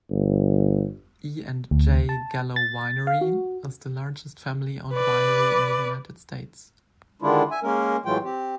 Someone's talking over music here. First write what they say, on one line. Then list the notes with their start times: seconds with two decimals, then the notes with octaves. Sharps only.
E and J Gallo Winery is the largest family-owned winery in the United States.
0.11 G1
1.71 D2
2.09 A5
2.56 A6
3.07 F5
3.21 F#4
4.93 B4 D5
7.22 D3 D#3 G#3 D4 E4 F4
7.51 E5 G#5
7.63 G#3 A#3 C#4 A#4
8.06 A2 E3 F#3 G#3 F4 G5
8.24 C4 G4